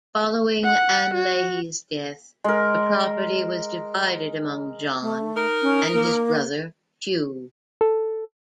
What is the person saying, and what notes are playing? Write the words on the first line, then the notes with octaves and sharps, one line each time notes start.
Following Ann Leahy's death, the property was divided among John and his brother Hugh.
F#5
F#4
G#3 A#4
A3
D#4 A#4
C#4
A#3
A4